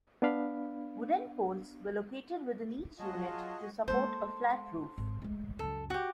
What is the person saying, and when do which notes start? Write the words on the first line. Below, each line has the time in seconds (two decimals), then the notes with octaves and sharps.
Wooden poles were located within each unit to support a flat roof.
0.22 B3 D4 F5 B5
2.99 F#3 F4 F#4 G#4 D#5 A5
3.88 G#3 A#3 A4 C5
4.98 G#1
5.22 G#3 A3
5.59 C#2 F#2 A4
5.90 F#4 G4